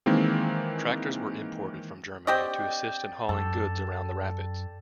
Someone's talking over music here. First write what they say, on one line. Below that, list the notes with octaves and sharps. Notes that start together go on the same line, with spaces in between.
Tractors were imported from Germany to assist in hauling goods around the rapids.
D#3 E3 G#3 A#3 C4
C4 G4 D5 D#5 G5
F#2 A4